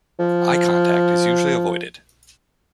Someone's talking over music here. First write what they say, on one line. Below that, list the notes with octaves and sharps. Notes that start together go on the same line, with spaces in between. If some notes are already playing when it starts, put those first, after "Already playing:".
Eye contact is usually avoided.
F3